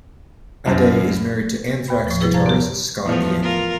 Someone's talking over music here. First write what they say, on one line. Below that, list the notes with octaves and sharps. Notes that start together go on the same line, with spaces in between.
Aday is married to Anthrax guitarist Scott Ian.
C2 F#2
D#2 B5
A2 F3
C3 F3 G3 E4 G#4 B4
C5 F5 A5 A#5 G#6 A6
B3 G4
E2 A2 F3
F4 A#4